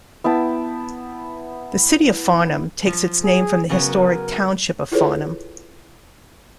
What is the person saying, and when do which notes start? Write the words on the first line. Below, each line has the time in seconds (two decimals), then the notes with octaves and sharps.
The city of Farnham takes its name from the historic Township of Farnham.
0.24 B3 E4 G5 A5
2.87 F3
3.24 G#4
3.70 C#3 F#3 B3 A#4
4.92 E4 F4 G#4 A4 B4 C#5